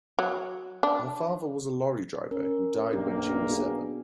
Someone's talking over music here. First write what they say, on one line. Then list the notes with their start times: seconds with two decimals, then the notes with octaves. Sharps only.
Her father was a lorry driver, who died when she was seven.
0.19 F#3
0.83 D4
2.31 C#4 A#4
2.93 B1 G2 A#3 D4 G4
3.49 B3 F#4 G#4